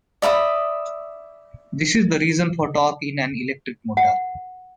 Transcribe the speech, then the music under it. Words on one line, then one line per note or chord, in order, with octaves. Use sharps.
This is the reason for torque in an electric motor.
D5 E5 B5 D#6
F#5